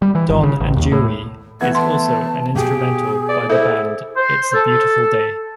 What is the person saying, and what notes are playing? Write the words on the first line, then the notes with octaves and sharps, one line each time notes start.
"Don and Dewey" is also an instrumental by the band It's a Beautiful Day.
G3
E3
G1
C#3
A1
D#2
A2
E3 A3 B3 F#5 G#6
A5 C6
B2 G4 G#4 G5
D5
E4 A4 C5
C5
A4